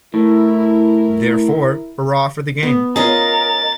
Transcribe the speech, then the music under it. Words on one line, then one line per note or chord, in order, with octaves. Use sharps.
Therefore, hurrah for the game.
A2 E4 A#4
B3
C#4 F4 G#4 A#4 D#5 A6